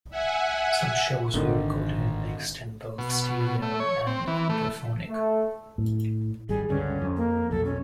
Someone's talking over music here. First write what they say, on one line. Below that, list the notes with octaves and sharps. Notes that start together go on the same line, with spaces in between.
Some shows were recorded and mixed in both stereo and quadraphonic.
E5 F#5 G#5
G#1 D3 D#3
B2
A3
C#5
C4
E3
A3
A3
A2
G#1 G3 G#4
C#2 G2 D3 C#4
F2
A#3
B1 F2 F#3 A4
C#4